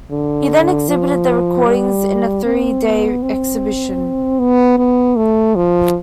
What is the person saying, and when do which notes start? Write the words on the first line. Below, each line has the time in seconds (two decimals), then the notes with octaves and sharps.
He then exhibited the recordings in a three day exhibition.
0.11 D3
0.89 F3
1.67 G3
2.45 C4
2.84 B3
3.23 C4
4.39 B3
4.78 B3
5.17 A3
5.56 F3